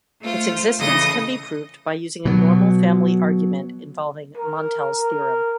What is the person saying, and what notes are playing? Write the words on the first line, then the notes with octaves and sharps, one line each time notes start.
Its existence can be proved by using a normal family argument involving Montel's theorem.
A3 F4 C5
C#3 E3 A4 D#5 D#6 A#6
B2 F#3
A#4
A#4